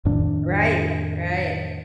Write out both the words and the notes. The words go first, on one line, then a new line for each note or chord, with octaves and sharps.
Right, right.
F2 A2 D#3 D4